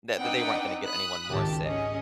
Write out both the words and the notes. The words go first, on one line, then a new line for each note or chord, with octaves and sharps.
th that they weren't gonna get anyone more sick.
C4 D4 D#4 B4 F#5 G5
B5 D#6 F#6
G#1 C#2 G4 A5
C#4 G#4 D#5